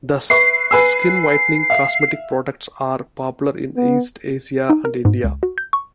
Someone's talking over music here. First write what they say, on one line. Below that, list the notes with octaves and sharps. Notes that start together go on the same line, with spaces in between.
Thus, skin whitening cosmetic products are popular in East Asia and India.
B4 E5 C#6 C7
B4 G#5 E6
E5 F5
B3
D#4
A#4
G#2
C#2
F#4
G6
C#6